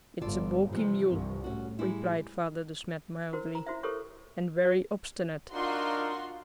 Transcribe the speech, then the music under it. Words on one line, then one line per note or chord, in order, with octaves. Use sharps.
"It's a balky mule," replied Father De Smet mildly, "and very obstinate."
G1 F4 A4 D5
C3 E3 F3 G3
C2 G2
A2 C#4 F#4
G3 G#3 E4
E4 F#4 A#4 C5
A#5
E4 F#4 C5 E5
G4 A4 A#4 C5 C#5 C#6
D4 D#4 F4 F#4 A#4 C6